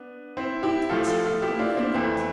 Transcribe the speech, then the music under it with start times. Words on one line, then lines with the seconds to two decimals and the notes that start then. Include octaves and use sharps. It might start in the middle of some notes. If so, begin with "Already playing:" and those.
"What a terrible moment!"
Already playing: B3 D4
0.37 C4 E4
0.63 E4 G4
0.89 A2 F3 A3 F4 A4
1.07 F4 A4
1.25 F4 A4
1.42 E4 G4
1.59 D4 F4
1.76 C4 E4
1.94 F2 E3 A3 C4